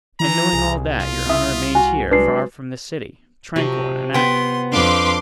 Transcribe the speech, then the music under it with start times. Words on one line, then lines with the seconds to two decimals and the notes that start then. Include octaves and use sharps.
"And knowing all that, your honor remained here, far from the city, tranquil and inactive."
0.20 E3 A#5
0.53 C2 G#4
1.00 F4
1.29 E4 E5 D#6
1.75 F#4 G#5
2.11 F#3 G#3 D4 B4 C7
3.56 C3 F3 F#3
4.14 B3 G5 C6
4.72 F2 D4 B4 F5 C6 D6